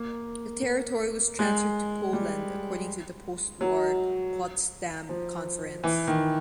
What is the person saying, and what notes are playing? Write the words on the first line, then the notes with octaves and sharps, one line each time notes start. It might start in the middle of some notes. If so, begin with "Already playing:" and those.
The territory was transferred to Poland according to the postwar Potsdam Conference.
Already playing: A#3
G#3
G3
F#3
F3
E3
D#3